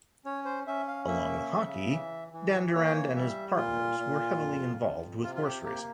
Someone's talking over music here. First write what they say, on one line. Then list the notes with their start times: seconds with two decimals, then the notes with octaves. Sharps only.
Along with hockey, Dandurand and his partners were heavily involved with horse racing.
0.25 C#4 C#5
0.45 C5
0.67 C#4 E5
0.88 F5
1.07 A#3 E5
1.49 C#3
1.91 E3
2.33 E3
2.75 A#3 C#5
3.16 G3 E5
3.57 A#2 F4
3.99 A#2
4.41 F2
4.81 F2
5.23 C3 F4
5.35 F4
5.44 G4
5.64 A#3 G4